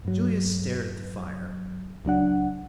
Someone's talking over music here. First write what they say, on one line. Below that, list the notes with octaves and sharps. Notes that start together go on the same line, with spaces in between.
Julius stared at the fire.
G2 F#3
C#2 F#3 D4 F#5